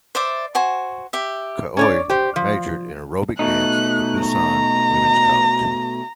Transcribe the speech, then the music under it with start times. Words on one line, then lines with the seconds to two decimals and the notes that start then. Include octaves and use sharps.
Choi majored in aerobic dance at Busan Women's College.
0.15 C5 D5 E5 D6
0.55 F#4 C5 G#5 C#6
1.13 G4 E5
1.77 C#4 C#5 D5
2.09 G4 C5
2.36 F3
3.39 B2 A3 D#4 F#6
4.23 A#5